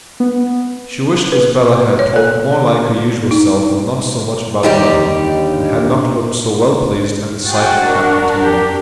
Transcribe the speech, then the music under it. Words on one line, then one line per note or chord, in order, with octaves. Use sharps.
She wished Isabella had talked more like her usual self, and not so much about money, and had not looked so well pleased at the sight of Captain Tilney.
B3
B4
C#5
A4
D#4
D#2 D3 G3 D#4 G4
F#4 G#4 G5 A6
D4 A#4
G4